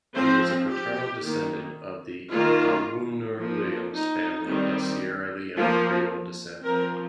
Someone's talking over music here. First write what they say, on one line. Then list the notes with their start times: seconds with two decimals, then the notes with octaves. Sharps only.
He was a paternal descendant of the Awoonor-Williams family of Sierra Leone Creole descent.
0.15 F3 C4 C5
0.69 G4
1.23 D#3 A#3
2.31 D#3 A#3 F4
3.39 F3 A#3
3.93 D#4
4.47 D#3 G3 C4
5.56 F3 A#3 F4
6.63 F3 C4 A#4